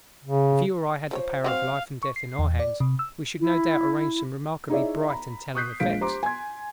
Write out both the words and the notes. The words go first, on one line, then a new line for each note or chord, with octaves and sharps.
If you or I had the power of life and death in our hands, we should no doubt arrange some remarkably bright and telling effects.
C#3
F3 A4 C5 C#5
F#3 C4 F5
C#6
C7
E2
D5
C3
E6
E4
D#4 E4 G#4 C#5 D5 E5
A#5 B5
C#6 D#6 F#6 G6 B6 C7
A#1 G#3 F5 B6 D7
G4 C5 A#5 C6 D6
G#5 C6 G#6